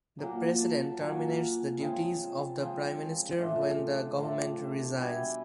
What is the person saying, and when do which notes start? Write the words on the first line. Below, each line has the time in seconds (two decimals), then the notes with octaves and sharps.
The President terminates the duties of the Prime Minister when the Government resigns.
0.19 A#2 F#3 A#3 A#5
0.58 A5
0.90 A5
0.98 A#2 F#3 A#3 G#5
1.28 F5
1.38 F#5
1.78 C#3 F3 G#3 C4 F5
2.19 A5
2.58 C#3 F3 G#3 C4
3.38 A2 F3 A3 D4
4.17 A2 F3 A3 D4 A#5
4.57 A5
4.68 A#5
4.81 A5
4.97 B2 G3 B3 E4 G#5
5.17 G5